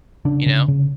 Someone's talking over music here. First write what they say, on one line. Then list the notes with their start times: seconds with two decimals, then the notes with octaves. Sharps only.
you know?
0.25 C#3 D4
0.46 C#3
0.68 C#3